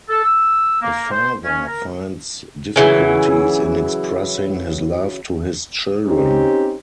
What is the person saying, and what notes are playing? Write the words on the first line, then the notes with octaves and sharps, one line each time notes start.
A father finds difficulties in expressing his love to his children.
A4
E6
A#3
C5
C#4
A#4
C#3 E3 F#3
C4 C#4 D#4 G4